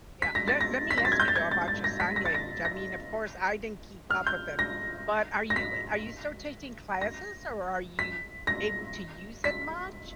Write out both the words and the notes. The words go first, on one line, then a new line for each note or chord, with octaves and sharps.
Yeah. Let let me ask you, though, about your sign language. I mean, of course, I didn't keep up with it, but are you are you still taking classes, or are you able to use it much?
B6
A#6
A6
A#6
B6
A#6
A6
G#6
G6
A6
G#6
A6
A6
A#6
B6
A#6
A6
A#6
A#6
F6
G6
A#6
A#6
B6
A#6
B6
A#6
B6